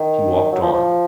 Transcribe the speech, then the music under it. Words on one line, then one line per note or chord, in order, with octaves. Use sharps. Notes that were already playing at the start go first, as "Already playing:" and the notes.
He walked on.
Already playing: D#3
F#3
F3
F3